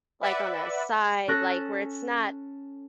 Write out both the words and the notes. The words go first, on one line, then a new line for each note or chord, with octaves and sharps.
like, on a side like, where it's not
B4 D5 E5 F#5 B5
C#4 A4 F#6 A#6